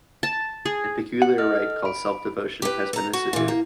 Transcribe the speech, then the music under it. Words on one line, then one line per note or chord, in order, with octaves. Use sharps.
A peculiar rite called self-devotion has been instituted.
A5
G#4
F#5
A4 D#5 F6
B5 D7
G4 B4
A4 A#5
F#4
A#2 E3
A#3